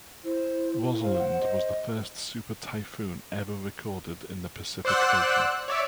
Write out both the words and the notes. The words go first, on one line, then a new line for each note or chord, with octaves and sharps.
Rosalind was the first super typhoon ever recorded in the Pacific Ocean.
E4 C5
C5 F5
F#5
D#5
C5 D5 F#5 E6 F#6
C#5 D5 E5